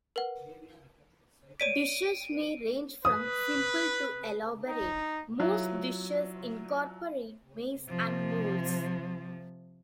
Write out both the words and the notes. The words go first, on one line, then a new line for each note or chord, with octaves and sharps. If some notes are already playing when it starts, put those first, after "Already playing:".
Dishes may range from simple to elaborate; most dishes incorporate maize and moles.
A#4 B4 F#5
C#5 D5 B6 D7 D#7
B4 D#6
D#4
F#3 E4 F4
C3 F3